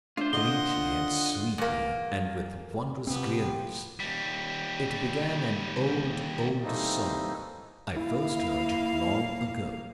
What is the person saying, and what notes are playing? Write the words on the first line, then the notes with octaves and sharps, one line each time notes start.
Quaintly and sweetly and with wondrous clearness it began an old, old song I first heard long ago.
D4 F4 C5 E5
D3 D#5 F#5 G7
E2 A#3
C3 F3 B3 C4 G4
D#2 G3
E3 G3 A3 A#3 C4 D#4
A#3 E4 F5